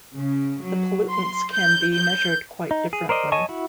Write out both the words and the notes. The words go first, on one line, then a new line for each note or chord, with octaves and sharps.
The pollutants can be measured quite differently.
C#3
F#3
C6
G6
G6
D#4
G#4
A#4 C5 D5 D#5
C#5 D#5 G#5 A5 C#6
E4 F#4